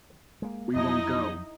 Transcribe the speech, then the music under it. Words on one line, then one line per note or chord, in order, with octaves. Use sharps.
We won't go!
G#3 A#3
F2 F#3 D#4 E4 D#5